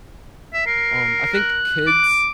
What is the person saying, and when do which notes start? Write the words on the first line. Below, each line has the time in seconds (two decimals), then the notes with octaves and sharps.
um I think kids
0.53 E5
0.66 A#4 C7
1.33 F#6
1.87 D6